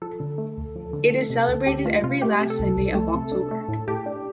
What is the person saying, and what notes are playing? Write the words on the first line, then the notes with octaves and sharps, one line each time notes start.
It is celebrated every last Sunday of October.
F3 A4
D3
A3
D2
F3
D3
A3
C3
D2
D2 G4
A3 F4
C3 F4
A3 G4
C3
A4
C2
C2
A3
C3
D4
A3
A2
A2 G4
D4